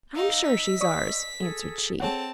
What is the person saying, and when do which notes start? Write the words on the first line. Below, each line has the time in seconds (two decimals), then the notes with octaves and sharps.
"I am sure she is ours," answered she.
0.16 D#4 D#5 F5 E6
0.47 B6
0.81 D5 C#6 D#6
1.39 G#4 A4
2.00 C4 G#4 A4 C#5 F#5 A5